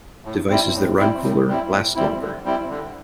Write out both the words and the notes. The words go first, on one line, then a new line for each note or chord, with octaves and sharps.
Devices that run cooler last longer.
A2
G3 C4 E4
A2
G3 C4 E4
A2
G3 C4 E4
A2
G3 C4 E4
D3
G3 C4 E4
D3